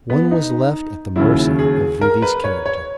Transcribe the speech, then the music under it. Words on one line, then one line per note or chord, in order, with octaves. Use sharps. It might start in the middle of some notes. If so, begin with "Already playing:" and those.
One was left at the mercy of V.V.'s character....
B3
D#4
D#2 C#3 F#3 E4
G#4
A#4
B4
C#5
C#5